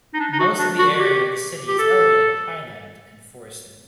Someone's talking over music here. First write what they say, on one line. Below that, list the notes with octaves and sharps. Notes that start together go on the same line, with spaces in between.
Most of the area of the city is elevated highland and forested.
D#4
D4
D#4
F#4
D4
F#4
F#4
G4
G4
A4